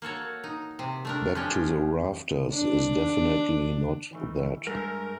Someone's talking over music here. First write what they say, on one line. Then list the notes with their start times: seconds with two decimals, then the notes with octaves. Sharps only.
Back to the Rafters is definitely not that.
0.02 A#3 F#4 A4 C#5
0.44 D#4
0.79 C3
1.05 A3 D4 A#4
1.35 F3 C#4 D4 G4
2.53 D4
4.11 D#3 E3 A3
4.67 G2 G#3 A3 A#4